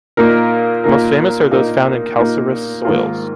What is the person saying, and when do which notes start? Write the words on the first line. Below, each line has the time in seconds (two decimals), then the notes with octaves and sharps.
The most famous are those found in calcareous soils.
0.17 A#2 A#3 D#4 A#4
0.84 A#2 A#3 D#4 A#4
1.51 A#2 A#3 D#4 A#4
2.18 A#2 A#3 D#4 A#4
2.84 G#2 D#3 A#3 F4 A#4